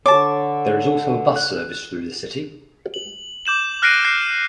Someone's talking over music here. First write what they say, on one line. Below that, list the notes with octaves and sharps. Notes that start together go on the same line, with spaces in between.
There is also bus service through the city.
D3 C#5 A5 D6
F#6
F#7
D6 G6 E7 F#7
F6 F#6 A#6 C7 D7 D#7
F#6 G6 A#6 C7